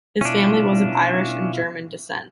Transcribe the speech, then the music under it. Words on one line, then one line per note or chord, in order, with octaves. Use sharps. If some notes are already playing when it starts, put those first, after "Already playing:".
His family was of Irish and German descent.
B2 C#4 D4 E4 F4